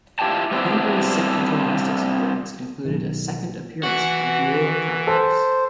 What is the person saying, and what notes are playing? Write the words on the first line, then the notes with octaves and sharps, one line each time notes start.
Hungary's second gymnastics appearance included a second appearance by Gyula Kakas.
E4 F4 G4 F#5 G5 A5
G3 B3 C4 D4 E4
B1 D#3
E3 F#4
A4 C5